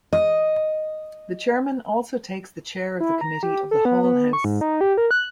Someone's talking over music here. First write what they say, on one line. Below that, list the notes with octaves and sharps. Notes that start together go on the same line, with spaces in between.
The Chairman also takes the Chair of the Committee of the Whole House.
D#5
E4
A#5
G4
A4
B3
B3
C#6
G#2
D#4
G4
A#4
F#6